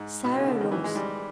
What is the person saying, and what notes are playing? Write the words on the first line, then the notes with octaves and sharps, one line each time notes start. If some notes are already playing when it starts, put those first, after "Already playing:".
Sarah rose.
Already playing: G#2
B2
C#3
D3
D#3
E3
G#3
G3